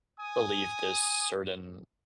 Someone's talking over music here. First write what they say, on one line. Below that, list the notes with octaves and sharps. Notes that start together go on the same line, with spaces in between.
believe this certain
G#5 D#6